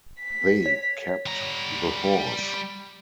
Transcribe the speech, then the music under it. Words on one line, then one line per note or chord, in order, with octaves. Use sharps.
They kept the horse.
B6
C#5
G3 A#5